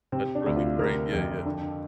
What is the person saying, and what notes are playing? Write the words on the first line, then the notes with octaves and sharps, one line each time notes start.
that's really great, yeah, yeah.
C3 C4
D4
D2
F4
C3 A#4
F2
D3